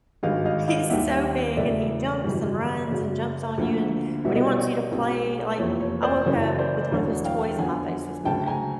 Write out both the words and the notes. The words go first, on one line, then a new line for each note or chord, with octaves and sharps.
He's so big, and he jumps, and runs, and jumps on you, and when he wants you to play, like, I woke up with one of his toys in my face this morning,
G#1 G2 D#3 G#3 D#5 F5
D#5 F5
D#5 F5
D#2 D#3 G3 A#3 E5 F#5
E1 E2 C#3 F#3 A3 D5 E5
G#1 F#2 C#3 E3 G3
F#2 C#3 F#3
D2 D3 F3 A#3
C2 B2 G3 B3 E5
D#5
D5
C#5 D#5
B1 B2 G#3 C4
F1 E2 C3 F3 A#3 C#5
C#5
C5 D5
F#1 F#2 C#3 E3 C#5
C5 D5
D5
E1 D2 D3 F#3 C#5
F5 G5
F2 D3 F#3 B3 F#5 G#5
D2 C#3 F#3 G5 A5
G#5 A#5